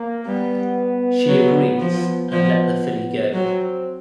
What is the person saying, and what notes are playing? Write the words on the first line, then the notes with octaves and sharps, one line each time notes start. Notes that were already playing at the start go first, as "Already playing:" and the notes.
She agrees to let the filly go.
Already playing: A#3
G3 B3
F#3
F3 B3
F3 B3
F#3 C4